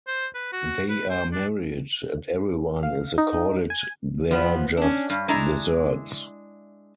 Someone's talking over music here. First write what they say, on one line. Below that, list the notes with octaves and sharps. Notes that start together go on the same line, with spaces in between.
They are married; and everyone is accorded their just deserts.
C5
B4
F#4
B4
C5
D4
F5
D#4
G#5
F3 B3
C#4 D4
G2
G#3 D4 E4 A#5